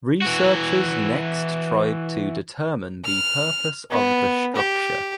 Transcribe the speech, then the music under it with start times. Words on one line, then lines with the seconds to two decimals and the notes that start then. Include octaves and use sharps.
Researchers next tried to determine the purpose of the structure.
0.22 E3 F#4
3.05 F6
3.91 B3
4.56 G4